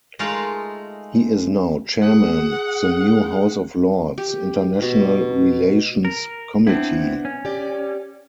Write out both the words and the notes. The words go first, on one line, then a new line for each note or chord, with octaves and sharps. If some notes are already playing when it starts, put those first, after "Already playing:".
He is now Chairman of the new House of Lords International relations Committee'.
G#3 A3 D#4 F4 A#4 F5
G#4 F#5
G4
B2
A#4
B3 C4 D4 E4 F#5
C#4
G4 D5